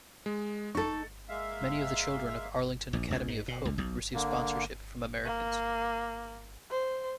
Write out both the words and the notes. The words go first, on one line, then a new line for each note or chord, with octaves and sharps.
Many of the children of Arlington Academy of Hope receive sponsorship from Americans.
G#3
D#4 A4 C#6 A6
G#3 A#3 E5 F5
A#1
C#2
G#2
B2
C#2
B1
D3 A#3
A#3
C5